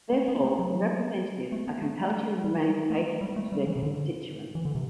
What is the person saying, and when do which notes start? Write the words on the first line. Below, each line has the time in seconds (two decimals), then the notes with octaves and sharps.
Therefore, the representatives are compelled to remain faithful to their constituents.
0.13 A3
0.28 B3
0.44 A3
0.59 F#3
1.52 A3
1.67 B3
1.82 A3
2.44 G3
2.90 A3
3.21 G3
3.36 A3
3.52 G3
3.67 E3
3.76 C3
3.83 D3
4.55 E3
4.65 D3
4.75 C3